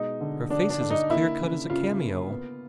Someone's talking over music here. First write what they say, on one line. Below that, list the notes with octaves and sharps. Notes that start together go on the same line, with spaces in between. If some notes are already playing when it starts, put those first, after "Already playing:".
Her face is as clear-cut as a cameo.
Already playing: B2 G#3 D#4
D3
D3 D4
D4
D3
D#4
A#3 E4
C#3
C#3 F4
A#3
B3